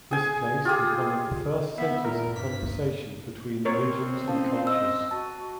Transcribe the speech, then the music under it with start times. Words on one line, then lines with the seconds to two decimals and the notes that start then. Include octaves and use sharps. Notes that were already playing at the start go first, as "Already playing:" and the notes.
This place was one of the first centers of conversation between religions and cultures.
0.11 G#4 G#5
0.65 F4 G4 G#4
1.78 B3 E5
2.04 A#2 A#4
2.36 G2 B6
3.65 C4 A#4 C#5
4.28 C#4 F5 A5
4.67 D#5 E6
5.11 F#4 A5